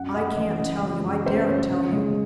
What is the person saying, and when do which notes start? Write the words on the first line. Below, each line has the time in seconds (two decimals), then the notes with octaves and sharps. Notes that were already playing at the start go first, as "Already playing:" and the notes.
"I can't tell you--I daren't tell you."
Already playing: F#2 F#5
0.14 F#2 D#5
0.37 E3 D#5
0.59 C#3
0.82 G#3
1.04 F#2
1.26 F#2 C5
1.48 F#2 C#5
1.70 C#3
1.92 G#3